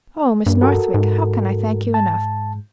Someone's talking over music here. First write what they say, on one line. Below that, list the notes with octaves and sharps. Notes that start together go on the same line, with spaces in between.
Oh, Miss Northwick, how can I thank you enough?
G2 A#3
F#4 A4 A#4
G#2
A5